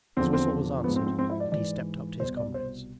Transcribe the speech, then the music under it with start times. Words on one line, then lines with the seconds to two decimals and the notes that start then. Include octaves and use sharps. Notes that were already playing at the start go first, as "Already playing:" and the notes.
His whistle was answered and he stepped up to his comrades.
0.17 E2 D3 F3 C4
0.33 C4
0.84 G#2 F3 B3
0.96 C4
1.06 C4
1.19 C4
1.30 E4
1.40 D5
1.52 G#2 E3 D5
2.20 C2 B2 C5
2.37 D5
2.54 C5